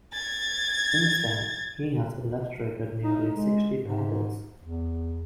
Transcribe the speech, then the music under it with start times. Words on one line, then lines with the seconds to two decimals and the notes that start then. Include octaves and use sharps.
Since then, he has illustrated nearly sixty titles.
0.13 G#6 A6
3.03 D#4
3.35 G#3
3.81 G#2
4.62 E2